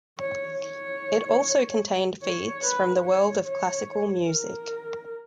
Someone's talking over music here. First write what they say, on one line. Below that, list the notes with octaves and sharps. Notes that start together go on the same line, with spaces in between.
It also contained feats from the world of classical music.
C#5
C#5
C#5
B4
C#5
C#5
A#4